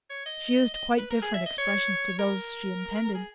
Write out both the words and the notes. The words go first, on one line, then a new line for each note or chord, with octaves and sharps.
She used quite different expressions to those she intended.
C#5
D#5
D#5
B4
A#4
G#4
E5
D#5
C#5
A#4
G#4